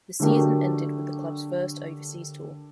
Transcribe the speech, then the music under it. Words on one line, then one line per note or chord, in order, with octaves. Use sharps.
The season ended with the club's first overseas tour.
D3 F#3 A3 D4 G4 A#4